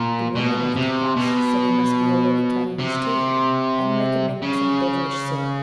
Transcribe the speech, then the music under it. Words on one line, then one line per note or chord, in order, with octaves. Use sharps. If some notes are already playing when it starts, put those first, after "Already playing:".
The woman of the house said he must be already cutting his teeth, and recommended some devilish sirup.
Already playing: A#2
B2
C3
B2
C3
C#3